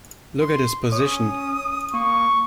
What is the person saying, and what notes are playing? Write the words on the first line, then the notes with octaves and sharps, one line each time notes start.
Look at his position.
C6
C#4 D#6
A#3 C#6